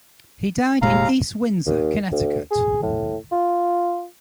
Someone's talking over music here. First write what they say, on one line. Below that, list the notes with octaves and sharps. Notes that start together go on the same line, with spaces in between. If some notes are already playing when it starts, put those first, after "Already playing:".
He died in East Windsor, Connecticut.
F1 D#2 A#2 G#3 F5 A#5
D#2
D2
G#4
A2
F4